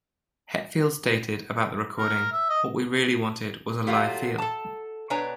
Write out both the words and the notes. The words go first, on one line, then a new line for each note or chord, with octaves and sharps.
Hetfield stated about the recording: What we really wanted was a live feel.
A#4
E5
D#5
F#3 A3 A#3 F4 G4 A4
A4 A5
B2 D4 B4 C#5 G#5 A#5